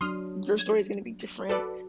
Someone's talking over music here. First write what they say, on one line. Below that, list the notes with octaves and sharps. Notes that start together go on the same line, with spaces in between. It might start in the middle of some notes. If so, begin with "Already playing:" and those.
Their story is gonna be different,
F#3 D4 C6 D#6 F6
G#6
F#4 A4 B4 D5